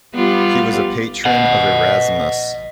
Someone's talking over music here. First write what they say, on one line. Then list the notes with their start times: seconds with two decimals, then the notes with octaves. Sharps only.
He was a patron of Erasmus.
0.14 G3 B3 F4
1.25 D#5 F#5